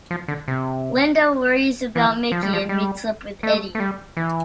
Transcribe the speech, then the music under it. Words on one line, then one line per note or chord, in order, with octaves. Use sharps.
Linda worries about Mickey and meets up with Eddie.
F3
D3
C3
E3
F3
G3
F3
G3
A3
A3
G3
E3